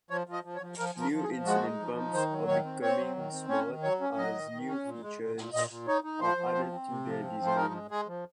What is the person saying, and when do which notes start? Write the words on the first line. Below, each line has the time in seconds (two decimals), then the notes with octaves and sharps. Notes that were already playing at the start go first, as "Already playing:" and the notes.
New insulin pumps are becoming "smart" as new features are added to their design.
0.10 F3 C#5
0.27 F3
0.33 D#5
0.44 F3
0.55 C#5
0.61 F3
0.78 F3 A#4
0.95 F3
1.01 A#4
1.12 F3
1.23 G#4
1.29 F3
1.45 G#3 F#4
1.63 D#4
1.80 F3
1.97 D#4
2.13 D#3 C5
2.31 F#3
2.47 D#3 C#5
2.65 C4
2.82 C4 C#5
2.98 F#3
3.16 D#3
3.33 C4
3.49 C#4 C#5
3.67 D#3
3.83 F#3 C#5
4.01 C#4
4.17 F#3 D#5
4.34 D#3
4.51 D#3
4.68 C#4
4.85 A#2
5.02 G#3
5.19 A#2
5.36 A#2
5.53 A#2 D#5
5.70 A#2
5.87 D#4 C#5
6.04 D#4
6.21 F3 C5
6.38 F3
6.55 C4
6.72 C4
6.89 C3
7.06 F3
7.23 C4
7.40 F3
7.46 C5
7.56 D#4 A#4
7.73 G#3
7.91 G#3 G#4
8.08 F3